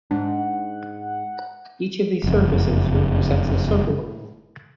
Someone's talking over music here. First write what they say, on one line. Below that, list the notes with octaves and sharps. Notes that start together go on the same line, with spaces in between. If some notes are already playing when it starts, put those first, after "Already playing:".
Each of these services represents a server role.
G#2 D4 F#5
F#1 F2